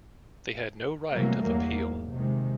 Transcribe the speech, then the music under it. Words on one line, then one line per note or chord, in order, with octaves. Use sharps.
They had no right of appeal.
C3 E3 F#3 G3 A3 A#3
E2 G2 F#3 A#3
G#2
C3 D#3 G#3